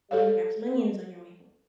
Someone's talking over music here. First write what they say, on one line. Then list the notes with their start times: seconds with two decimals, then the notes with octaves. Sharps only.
"Can you grab some onions on your way home?"
0.11 G4 A4 C#5 F5